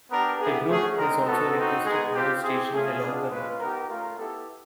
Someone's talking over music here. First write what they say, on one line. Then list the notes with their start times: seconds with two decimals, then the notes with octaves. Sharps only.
The group has also requested more stations along the route.
0.11 B3 D4 G4 A#4
0.40 B3 E4 G4 G#4
0.69 A3 C#4 F#4 G#4
0.98 G#3 C4 D#4 A#4
1.27 B3 D#4 F#4 A4
1.57 C4 D#4 F#4
1.85 G#3 B3 D#4 G#4
2.14 C4 F4 G4
2.43 C4 E4 G4 G#4
2.72 A3 C#4 F4 G#4
3.01 G#3 B3 D4 F4
3.30 G#3 C#4 F4 B4
3.59 B3 D#4 G4 A#4
3.88 A3 C#4 F4 A#4
4.17 B3 E4 G4 A4